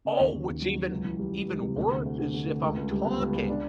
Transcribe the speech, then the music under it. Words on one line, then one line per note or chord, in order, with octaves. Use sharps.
Oh, what's even even worse is if I'm talking
C#3
D#2
D#2
D#2
F#3
F#3
C#2
E3
G3
C#2
C#2
C3
D2
D3
D2
D3
D3
D2
C#2
C#2
G3
B3
C#2
C#2
D4